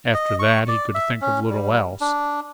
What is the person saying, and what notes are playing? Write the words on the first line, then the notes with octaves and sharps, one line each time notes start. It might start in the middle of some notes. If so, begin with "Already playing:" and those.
After that he could think of little else.
D#5
C#6
D5
E5
C#4
G3
D4